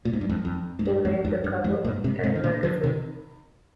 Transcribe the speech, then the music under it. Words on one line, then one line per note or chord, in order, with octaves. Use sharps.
He made the cover of "Time" magazine.
A#2
G#2
G2
F2 G#2
F2
G#2
G2
F2 G#2
F2 G#2
G2
F2 G#2
G2 A#2
G#2 C3
G#2 C3
D#3
A#2 D3
D3 F3
C3 D#3